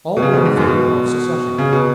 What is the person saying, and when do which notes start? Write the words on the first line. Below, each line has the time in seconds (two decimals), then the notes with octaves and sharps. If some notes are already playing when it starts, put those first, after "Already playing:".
All were in favor of secession.
0.17 B2
0.22 C#3
0.34 B2
0.45 G#2
0.57 F#2
0.67 B2
1.58 C#3
1.73 B2